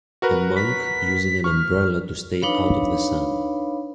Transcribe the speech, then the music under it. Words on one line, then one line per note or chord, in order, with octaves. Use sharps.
A monk using an umbrella to stay out of the sun.
F#4 A#4 B4
B6
C#6 F6
D4 D#4 B4 C#5 F5 B5